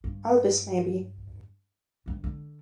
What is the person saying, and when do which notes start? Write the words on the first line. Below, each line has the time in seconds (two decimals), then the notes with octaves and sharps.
Elvis maybe.
0.04 G2
2.06 D2 G2
2.24 D3